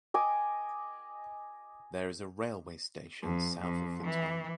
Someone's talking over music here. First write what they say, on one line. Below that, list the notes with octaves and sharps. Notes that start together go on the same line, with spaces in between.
There is a railway station south of the town.
D#5 G#5 D6
F2
F2
E3